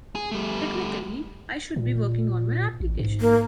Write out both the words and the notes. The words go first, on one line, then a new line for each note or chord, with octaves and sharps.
Technically, I should be working on my application.
G#4
G3 A3
A#2
A1
G#2
A#3